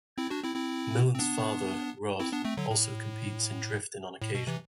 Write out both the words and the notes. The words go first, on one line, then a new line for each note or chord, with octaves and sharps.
Millen's father, Rod, also competes in drifting on occasion.
C4 E4
D4 F#4
C4 E4
C4 E4
C4
B3 D4
C4 E4
B3 D4
A3 C4
D3 F#3
A2
A2
B2
C3 E3